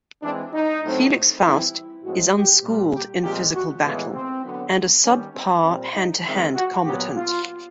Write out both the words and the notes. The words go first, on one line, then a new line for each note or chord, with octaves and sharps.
Felix Faust is unschooled in physical battle, and a sub-par hand-to-hand combatant.
E3 G#3 C4 D4
D#4
A2 F#3 A3 C4
E3 G3 C4 E4
A2 F3 G#3 C4 F#4
G4
A#2 G3 A#3
G4
A#2 F3 G#3 C4 G4
F#4
A2 E3 G#3 B3 F4
C4
D3 F#3 B3
D#3 G3 B3 C#4
C4
A#2 G3 C4 C#4
D#4
D#3 G#3 C4 E4
F#4
A#2 F#3 B3 G4
F4